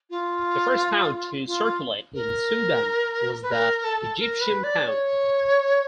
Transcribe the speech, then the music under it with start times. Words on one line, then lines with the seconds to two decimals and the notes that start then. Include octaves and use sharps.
The first pound to circulate in Sudan was the Egyptian pound.
0.10 F4
1.46 F4
2.14 A#4
3.42 B4
3.50 A#4
3.83 A4
4.18 A#4
4.40 B4
4.63 D5
4.86 C#5